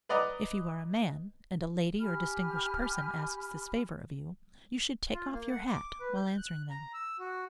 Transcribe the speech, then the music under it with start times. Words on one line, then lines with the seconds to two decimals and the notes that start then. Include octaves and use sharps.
If you are a man, and a lady or distinguished person asks this favor of you, you should take off your hat while answering them.
0.09 B4 D5 D#5 F#5 A#5
2.00 G4 G#5 B5 F6
5.14 F4
5.32 A#3
5.51 F#5
5.68 D6
6.00 B4
6.15 G6
6.37 F#6
6.70 A#5
6.94 E6
7.19 F#4